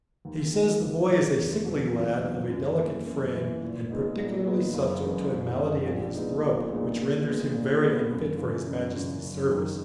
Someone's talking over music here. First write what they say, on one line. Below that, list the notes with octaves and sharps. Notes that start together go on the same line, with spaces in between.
He says the boy is a sickly lad, of a delicate frame, and particularly subject to a malady in his throat, which renders him very unfit for his Majesty's service.
D#2
D#3 G#3
D#2
D#3 G#3
E2
B2 F#3
E2
B2 F#3
F#2
E3 A#3 E4
F#2
E3 A#3 E4
A#2
G#3 B3 D#4
A#2
G#3 B3 D#4
F#1
F#2 E3 G#3
F#1
F#2 E3 G#3
A#1
A#2 G#3 B3 D#4
A#1
A#2 G#3 B3 D#4
A#2
G#3 B3
A#2
G#3 B3
F#2
C#3 E3
F#2
C#3 E3
F#1
F#2 D#3 G#3